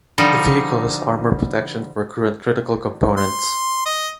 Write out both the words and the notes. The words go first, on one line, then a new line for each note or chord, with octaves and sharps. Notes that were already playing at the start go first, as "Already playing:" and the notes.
The vehicle has armor protection for crew and critical components.
D3 F3 G3 D#4
C6
D#5